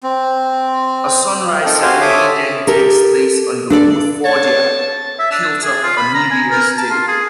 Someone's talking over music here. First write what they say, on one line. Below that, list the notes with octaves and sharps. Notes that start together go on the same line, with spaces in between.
A Sunrise Ceremony then takes place on the Woodfordia hilltop on New Year's Day.
C4
F4
C4 D#4 A4 A#4
F#4 G4 C5 F5 G#5 C6
A4 C#5 E5 D6 D#6
G4 A4 A#4
D4 A4 D5
C#5 A5
E5
D4
G#4
F4
B5
A#5
G#5
A#4
A5
F4
G#4